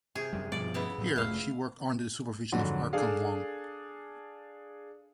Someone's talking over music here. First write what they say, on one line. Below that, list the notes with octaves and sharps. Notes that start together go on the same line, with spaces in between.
Here she worked under the supervision of Erkang Wang.
C3 G#4
F#2 G3
G2 B2 F3 D5
C#3 B3 E4
A2 F#3
F1 A3 E4 F5
F2 G#2 D3 F#3
D4 G#4 A4 F5